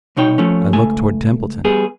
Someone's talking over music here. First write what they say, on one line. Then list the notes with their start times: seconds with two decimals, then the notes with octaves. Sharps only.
I looked toward Templeton.
0.17 C2 B2 D#4 C#5 G5
0.38 F3 A3 C#4
0.73 C#2 A3 G#5
1.65 G3 B3 G#4